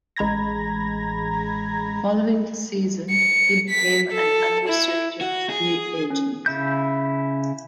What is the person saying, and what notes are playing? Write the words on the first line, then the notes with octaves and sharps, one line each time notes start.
Following the season, he became an unrestricted free agent.
A1 G#3 A#5 B5 G#6 A#6
C#7
B6
A4
E4
F#4
G#4
C#4
C#3 E4 G6